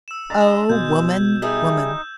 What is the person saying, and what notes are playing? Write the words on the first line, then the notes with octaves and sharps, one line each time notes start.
O Woman, Woman!
E6 E7
G#3 D4 A#5 A6
B2 G#3 G6 G#6
G3 D#4 E4 G#4 G6